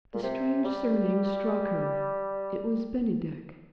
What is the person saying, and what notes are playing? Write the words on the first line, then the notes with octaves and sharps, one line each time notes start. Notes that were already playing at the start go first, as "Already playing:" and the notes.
The strange surname struck her; it was "Bennydeck."
A#2
C3
G3